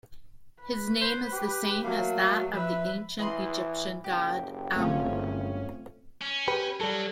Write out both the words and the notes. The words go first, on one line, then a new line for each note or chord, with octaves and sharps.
His name is the same as that of the ancient Egyptian god Amun.
B4
C5
G4
F#3 A3 A#3 F#4
F3 B4 E5
E3 D#5 B5 C6
F#1 G4
G1 A3 C4 C#4 F4
C#4
G4 B4
F#3 G3 A4